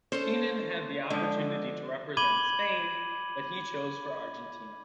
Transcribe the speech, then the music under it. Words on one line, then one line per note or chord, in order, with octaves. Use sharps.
Keenan had the opportunity to represent Spain but he chose for Argentina.
C#4 A4 C5 A5
D3 F3 G#3
B5 D6 G#6 D#7 F#7 G7